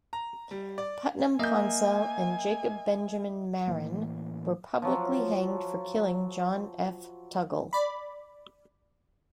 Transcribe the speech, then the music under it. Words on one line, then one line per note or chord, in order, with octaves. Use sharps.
Putnam Ponsell and Jacob Benjamin Marin were publicly hanged for killing John F. Tuggle.
A#5
G3
D5
A#3 D#5 E5 G#5 G6
A2 E3 A#3
F3 F#3
D5 B5